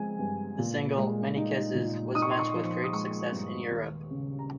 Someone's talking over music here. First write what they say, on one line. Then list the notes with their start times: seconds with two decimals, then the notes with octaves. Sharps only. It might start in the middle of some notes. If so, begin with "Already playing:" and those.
The single "Many Kisses" was met with great success in Europe.
Already playing: F3 G#3 C4 G#5
0.19 G2
0.58 A#2
0.98 G#3
1.37 D#4
1.75 A#2
2.15 D#4 D#6
2.22 C#6
2.31 C6
2.39 C#6
2.54 F3
2.84 D#6
2.93 G#3 C#6
3.32 G2
3.71 D#2
4.11 C#3
4.39 A#5